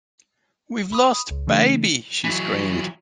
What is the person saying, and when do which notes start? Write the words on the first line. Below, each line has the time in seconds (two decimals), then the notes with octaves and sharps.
"We've lost baby," she screamed.
0.92 B5 D#6
1.31 C#2
1.47 C#3 E3 A3 D4
2.25 E3 F#3